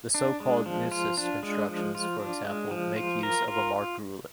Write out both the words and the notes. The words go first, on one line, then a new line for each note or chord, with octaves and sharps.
The so-called neusis constructions, for example, make use of a "marked" ruler.
D4
G#3
F3
F4
D4
G#3
F3
F4
D4
G#3
F3
F4
A#4
F4